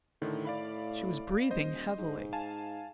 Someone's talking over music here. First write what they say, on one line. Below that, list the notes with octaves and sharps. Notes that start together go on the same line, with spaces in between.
She was breathing heavily.
A2 D3 D#3
D5 F5 B5
D#1 C5 D#5
G#2
F5 G#5 A5